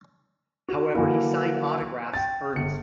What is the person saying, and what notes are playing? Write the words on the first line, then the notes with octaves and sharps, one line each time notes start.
However he signed autographs Ernest.
F#4
D3 E3 F#3 A#3 E4
G5 A6
G1 C#7